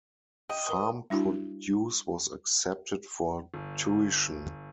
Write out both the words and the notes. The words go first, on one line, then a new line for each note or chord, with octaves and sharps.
Farm produce was accepted for tuition.
D#5 G5
A#4 B4
G3 D4 E4 F#4
G1